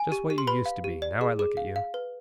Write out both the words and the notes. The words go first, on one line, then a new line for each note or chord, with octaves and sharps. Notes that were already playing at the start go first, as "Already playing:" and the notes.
Just what you used to be, now I look at you!
Already playing: G#5
G4
G4
C6
B4 B5
F5
G4
D5
G#4
G#4
F5
F5
B4